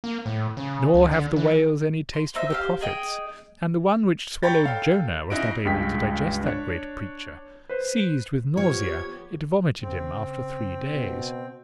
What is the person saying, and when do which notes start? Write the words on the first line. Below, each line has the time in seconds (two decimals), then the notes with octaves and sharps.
Nor have the whales any taste for the prophets, and the one which swallowed Jonah was not able to digest that great preacher; seized with nausea, it vomited him after three days.
0.04 A#3
0.26 A2
0.57 C#3
0.94 C#2
1.11 D3
1.36 E3
2.13 C6
2.35 D#4 C5 E5
2.50 G4 C5 F5
2.81 G#4 D#5 G5
4.43 C#5 G5 A#5 B5 G6 A6
4.63 A4 F5 G5
5.30 C#3 D#4 E4 F#4 D7
5.65 C#2 G2 G#3 G5 B6
6.44 D4 C#5
7.69 B4 C5
8.57 F3 B3 G4 C#5 G#6
9.82 C#3 C4
10.92 B2